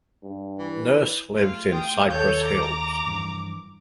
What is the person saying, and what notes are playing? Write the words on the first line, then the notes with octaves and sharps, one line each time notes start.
Nurse lives in Cypress Hills.
G2
E3
A3 F4
G5 D#6
D#2 A4 C#5 G6
A#5 D6
G2 E3 F3